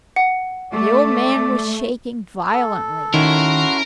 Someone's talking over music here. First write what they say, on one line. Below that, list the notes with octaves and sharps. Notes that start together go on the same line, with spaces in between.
The old man was shaking violently.
F#5
A3 D5
A4
D#3 C#4 E4 F#4 A4 A#4 C6